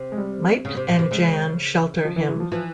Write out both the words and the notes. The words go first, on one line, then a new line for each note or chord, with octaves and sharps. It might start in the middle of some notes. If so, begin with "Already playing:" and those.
Miep and Jan shelter him.
Already playing: C3
G#3
G3
C#3
C3
A#2
C3
C#3 G#3
F3
E3
E3
F3
E3 F3